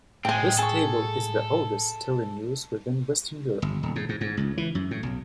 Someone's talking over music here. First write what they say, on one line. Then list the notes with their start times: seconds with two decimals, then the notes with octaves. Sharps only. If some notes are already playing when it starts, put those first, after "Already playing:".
This stable is the oldest still in use within Western Europe.
0.25 A2 G#3 C4 G5 G#5 G#6
0.59 G#4 A4 C#6
3.62 G1
3.83 D#1
3.96 G#2
4.09 G#2
4.21 G#2
4.37 C#2
4.57 E3
4.75 F#2
4.91 A2
5.03 B1